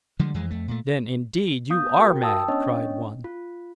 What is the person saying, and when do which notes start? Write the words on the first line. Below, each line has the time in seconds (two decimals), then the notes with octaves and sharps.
"Then indeed you are mad," cried one.
0.19 D3 F3 G3 G#3
0.34 F2 E3 G#3
0.51 F2 A3
0.68 A#2 A3
1.70 B3 F5 D#6 G6
1.99 F#4 A#4 G5
2.22 G5 A5 D#6 E6
2.48 B3 C#4 D4 C#5 D#5 G5
3.24 F4